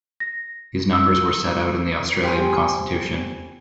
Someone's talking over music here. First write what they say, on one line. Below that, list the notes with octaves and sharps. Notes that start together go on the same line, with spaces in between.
These numbers were set out in the Australian Constitution.
A#6
E6
G3 C5 G#5